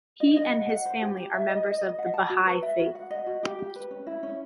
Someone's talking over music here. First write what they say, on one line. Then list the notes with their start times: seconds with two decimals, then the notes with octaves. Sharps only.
He and his family are members of the Baha'i Faith.
0.20 D#5
0.37 D#5
0.53 F#5
0.69 F#5
0.85 C5
1.02 G4
1.17 G4
1.34 E5
1.49 D#5
1.66 D#5
1.81 D#5
1.98 F#5
2.13 A5
2.29 F#4
2.46 B4
2.62 E5
2.79 F#4
2.95 F#5
3.10 D#5
3.26 F#4
3.43 G4
3.59 G4
3.75 B4
3.91 C#4
4.07 E4
4.23 C#4